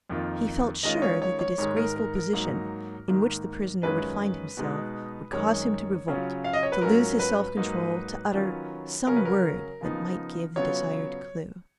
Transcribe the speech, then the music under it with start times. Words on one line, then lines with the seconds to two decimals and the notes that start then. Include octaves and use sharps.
He felt sure that the disgraceful position in which the prisoner would find himself would cause him to revolt, to lose his self-control, to utter some word that might give the desired clue.
0.10 F2 D#3 A#3 F4
0.83 D#3 G#3 C#4 F4 D#5
1.02 C#5
1.22 C#5
1.39 C#5
1.58 G#2 D#3 G#3 C#5
1.77 A#4
1.96 A#4
2.15 A#4
2.33 G#2 F#3 A#3 D#4
3.08 G#2 D#3 A#3
3.83 F#2 D#3 G#3 C#4 F4 B4
4.57 B2 G#3 D#4
5.33 F#2 D#3 G#3 C#5
6.08 C#3 F#3 C#4 F4
6.44 F5
6.53 D#5
6.63 C#5
6.72 B4
6.81 G#2 F#3 C#4 F4 A#4
7.19 B4
7.57 G#2 F#3 A#3 D#4
8.32 D#3 F#3 C#4 F4
9.07 C#3 F#3 C#4 A#4
9.16 B4
9.25 A#4
9.81 C#3 F3 B3 D#4
10.56 C#3 F#3 B3 F4 C#5